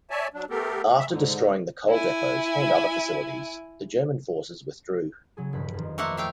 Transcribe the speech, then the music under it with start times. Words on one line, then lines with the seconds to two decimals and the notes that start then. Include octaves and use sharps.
After destroying the coal depots and other facilities, the German forces withdrew.
0.10 C#5 D5 E5 G#5 A5
0.34 F#3 D4
0.50 A3 B3 G4 A4 A#4
0.99 E5
1.10 G#2 D3
1.88 E4 G#5
5.37 C#3 F#3 G#4
5.53 E1 G2 B4
5.73 F2 D#3
5.98 A3 A#3 A#4 C5 F#5 D#6
6.17 A3 F5 G5